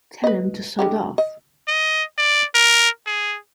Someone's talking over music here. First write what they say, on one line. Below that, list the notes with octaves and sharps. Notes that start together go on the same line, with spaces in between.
Tell him to Sod Off!
B4 D#5
D3 G#3 G4
D#5
D#5
D5
A#4
G#4